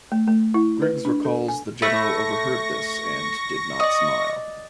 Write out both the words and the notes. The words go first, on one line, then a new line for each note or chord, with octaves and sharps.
Griggs recalls the General overheard this and "did not smile".
A3
A3
E4
B4
D4
A4
G#5
A3 B5 C#6 A#6
D5 D#5